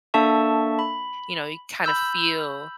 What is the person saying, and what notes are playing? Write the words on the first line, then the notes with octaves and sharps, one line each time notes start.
you know you kind of feel
A#3 D4 A4 E5 A5 C#6
B5
B5 E6 G6